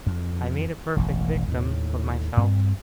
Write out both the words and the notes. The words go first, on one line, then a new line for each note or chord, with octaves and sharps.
I made a perfect victim of myself.
F2
E1 A1
D#2 A2
G2 C4